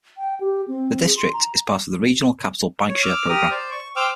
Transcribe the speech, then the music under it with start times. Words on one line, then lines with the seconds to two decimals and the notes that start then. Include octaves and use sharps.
The District is part of the regional Capital Bikeshare program.
0.18 G5
0.40 G4
0.68 C4
1.04 G#4
1.17 C6
1.33 A#5
2.89 C#5
3.03 D6 E6 F6
3.29 G4 A#4 D#6 F6
3.51 C5 D5
3.71 C#6
3.96 C5 G5 D6 E6 F6